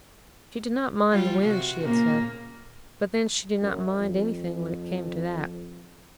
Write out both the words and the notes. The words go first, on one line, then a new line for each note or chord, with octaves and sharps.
She did not mind the wind, she had said, but then she did not "mind" anything, when it came to that.
G3 F4
C3 F#4
A#2 C#3 A#3
F#2
F2